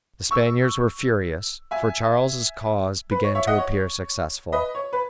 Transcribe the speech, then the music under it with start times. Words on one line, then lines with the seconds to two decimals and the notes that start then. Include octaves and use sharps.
The Spaniards were furious, for Charles's cause began to appear successful.
0.31 C#6 E6
1.71 E5 G#5
3.11 B4
3.24 C#5
3.35 C#5 E5
3.47 D#5 F#5
3.58 C#5
4.52 B4 D#5
4.75 C#5
4.93 B4